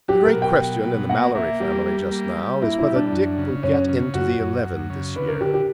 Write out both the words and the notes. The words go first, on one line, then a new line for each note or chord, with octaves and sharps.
The great question in the Mallory family just now is whether Dick will get into the eleven this year.
F#3 G4
A#4
B2
G5
F#3
B2
A#3 F#5
A#3 E5
G3 G4
G3
A#3
G3
A#3 E4
E4
G3
D4
F#2
C#3
F#2 C#4
C#3
F#2 F#4
F#2
F#2
C#3
D3 B4
A#4
D3 G4
G4